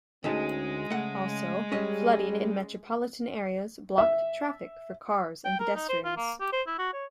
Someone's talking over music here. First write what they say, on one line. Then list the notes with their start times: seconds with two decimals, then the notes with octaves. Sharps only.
Also, flooding in metropolitan areas blocked traffic for cars and pedestrians.
0.24 D2 G#3 C#4 D#4 A5
0.90 C#3 A3 F#5
1.72 G3 C#4 G#4 D#5
3.98 E5
5.45 G5
5.60 A#4
5.75 D#4
5.89 C5
6.05 F4
6.17 A#3
6.40 G4
6.53 C5
6.67 E4
6.79 F#4
6.93 C#5